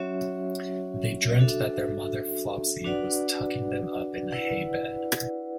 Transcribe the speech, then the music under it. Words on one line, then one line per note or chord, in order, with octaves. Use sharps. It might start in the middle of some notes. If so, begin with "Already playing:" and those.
They dreamt that their mother Flopsy was tucking them up in a hay bed.
Already playing: F#3 C#4 F#4 C#5 E5
D4 F#4 A4 E5
D4 F#4 B4 D5 F#5
E4 B4 D5 F#5